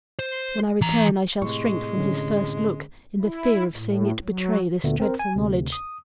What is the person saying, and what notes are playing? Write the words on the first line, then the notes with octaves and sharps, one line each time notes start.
When I return, I shall shrink from his first look, in the fear of seeing it betray this dreadful knowledge.
C5
E3 A#5
A2 C3 G#3 C#6
D3 C#4
E4
A2
F#3
D2 A#2 D3 A3 B3
C4 A#4 C5
G#5
D2 C3
D#6